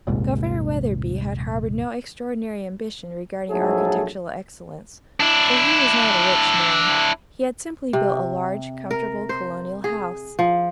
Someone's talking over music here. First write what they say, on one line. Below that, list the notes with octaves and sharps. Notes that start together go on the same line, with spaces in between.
Governor Weatherby had harbored no extraordinary ambition regarding architectural excellence, for he was not a rich man; he had simply built a large, comfortable Colonial house.
D#1 A#1 G#2 C3
A#1 G#2 F#3 A3 G#4 A4
D4 E4
C3
A#4
C5
G#4
F3